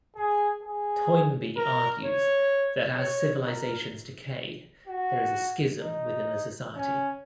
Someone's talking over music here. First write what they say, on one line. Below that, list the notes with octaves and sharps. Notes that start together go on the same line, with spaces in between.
Toynbee argues that as civilizations decay, there is a "schism" within the society.
G#4
G#4
A#4
C#5
C#5
A#4
F#4
D#4
C#4